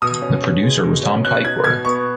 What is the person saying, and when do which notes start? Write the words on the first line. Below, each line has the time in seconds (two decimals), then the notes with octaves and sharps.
The producer was Tom Tykwer.
0.02 B2 D#6
0.22 C#4
0.43 B2
0.63 G#3
0.83 B2
1.03 C#4
1.25 B2 F#6
1.44 D#4 G#6
1.64 B2 G#6
1.85 B3 C#6